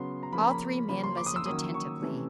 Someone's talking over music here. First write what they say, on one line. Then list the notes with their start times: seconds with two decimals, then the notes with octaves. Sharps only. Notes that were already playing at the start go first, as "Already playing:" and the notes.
All three men listened attentively.
Already playing: C#3 F#3 B3 C6
0.23 A#5
0.32 C#3 F3 A#3 C#4 B5
0.42 A#5
0.50 B5
0.89 C#3 F3 A#3 C#4 B5
1.04 C6
1.17 D6
1.26 D#6
1.36 E6
1.45 D#3 F#3 A#3 C#4 D#6
1.74 C#6
2.02 C3 E3 A3 C#4